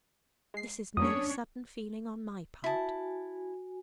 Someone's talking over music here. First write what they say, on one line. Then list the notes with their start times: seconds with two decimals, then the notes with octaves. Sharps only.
This is no sudden feeling on my part.
0.54 G#3 C7
0.97 F2 F#3 A#3 C#4 D4 C#5 D#6
2.64 E4 F#4 G#5 A5